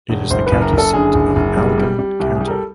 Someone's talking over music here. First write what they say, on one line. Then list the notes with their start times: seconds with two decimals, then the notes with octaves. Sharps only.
It is the county seat of Allegan County.
0.09 E1
0.31 F#1 C5
0.46 F#1 B4
0.62 A#4
0.73 F#1
0.78 A4
0.93 D3 G#4
1.15 F#1
1.36 F#1
1.57 G3
1.78 G3
1.99 G3
2.20 C2 G4
2.36 G3 G#4
2.47 A#4
2.51 A4